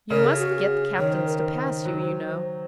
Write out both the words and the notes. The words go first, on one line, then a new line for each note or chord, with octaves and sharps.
You must get the captains to pass you, you know.
C#3 A#4
G#4
F#4
G#4
D#3 C#5
C5
A#4
C5
F#3